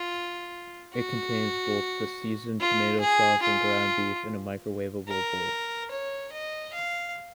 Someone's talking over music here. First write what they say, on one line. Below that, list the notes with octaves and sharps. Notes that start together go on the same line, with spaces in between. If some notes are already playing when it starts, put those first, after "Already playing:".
It contains both the seasoned tomato sauce and ground beef in a microwavable bowl.
Already playing: F4
F#4
F4
G#4
F4
A#4
C#5
D#5
F5